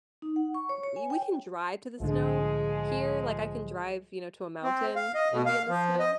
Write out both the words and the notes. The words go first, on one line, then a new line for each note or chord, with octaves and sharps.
we we can drive to the snow here. Like, I can drive, you know, to a mountain and be in the snow.
D#4
F#5
C#6
C#5
C#5
G#5
G5
C2 A2 D3 F3 G#3 G#4
C4
F5
D#5
B2
F5
F3
D#5